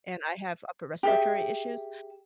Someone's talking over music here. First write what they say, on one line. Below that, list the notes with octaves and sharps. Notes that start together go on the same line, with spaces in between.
and I have upper respiratory issues,
G4 G#4 E5